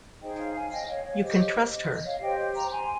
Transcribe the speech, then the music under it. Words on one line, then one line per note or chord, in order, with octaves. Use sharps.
You can trust her.
D#4 G#4 C5 D#5 G5
C#5 F5
F5 G#5
D#5 G5
C#5 F5
C#5
G4 C5 D#5
D#5
D#5
C#5 F5
G4 C5 D#5 G5
G5 A#5
G#5 C6